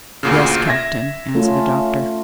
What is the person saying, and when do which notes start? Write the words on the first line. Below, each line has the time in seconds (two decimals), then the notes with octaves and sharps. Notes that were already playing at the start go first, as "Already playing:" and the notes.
"Yes, captain," answered the doctor.
0.23 D2 A#2 C#3
0.67 E5 G#6 A#6
1.35 A3 C#4 F4